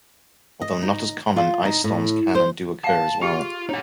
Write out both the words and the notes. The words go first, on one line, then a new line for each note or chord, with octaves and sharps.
Although not as common, ice storms can and do occur as well.
D#5
D#4
F4
D#4
A2
C5
F5 F#5 A5
F4 G4 G#4
D4 D#4 C#5 F#5